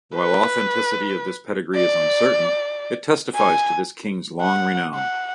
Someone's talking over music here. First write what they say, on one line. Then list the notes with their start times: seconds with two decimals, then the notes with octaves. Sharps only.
While authenticity of this pedigree is uncertain, it testifies to this king's long renown.
0.16 B4
1.75 D5
3.35 G#5
4.41 F#5
4.95 F#5